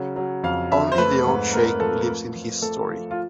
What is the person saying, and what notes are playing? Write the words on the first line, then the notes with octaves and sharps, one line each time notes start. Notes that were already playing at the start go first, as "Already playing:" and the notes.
Only the old sheikh believes in his story.
Already playing: C#3 F#3
F#3
F2 F5
F2 E5
C5
A3 B4
G#2
A3 A#4
F3 A4
A3
F3
A3 A4
F3
F4